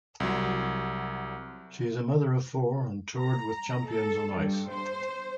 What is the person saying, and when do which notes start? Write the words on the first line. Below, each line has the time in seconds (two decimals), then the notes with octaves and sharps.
She is a mother of four and toured with Champions on Ice.
0.20 C2 F#3
3.16 A#5
3.88 A4
4.36 G2
4.71 C5